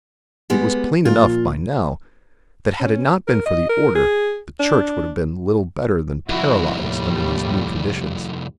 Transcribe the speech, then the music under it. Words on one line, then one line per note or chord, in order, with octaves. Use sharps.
It was plain enough by now that had it not been for the Order, the Church would have been little better than paralysed under these new conditions.
G3 G#3 B3
A#2 F3 F4
C#4
A#4
D#5
A#4
G#4
D4
C2 F2 E4 F#4
D#2 A2 G3